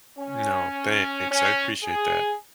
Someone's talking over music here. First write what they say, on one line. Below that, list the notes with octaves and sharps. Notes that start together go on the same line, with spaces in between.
No, thanks, I appreciate that.
C#4
C#4
G#4